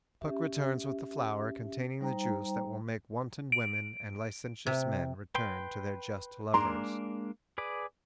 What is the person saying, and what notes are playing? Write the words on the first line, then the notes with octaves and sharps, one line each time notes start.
Puck returns with the flower containing the juice that will make wanton women and licentious men return to their just lovers.
C#4 G4 E5
G3 D#4 C5 G5 A#5
D7
C3
B4 G5 C6
G#2 G#3 A#3 D4 A#5 C6
G#4 B4 D5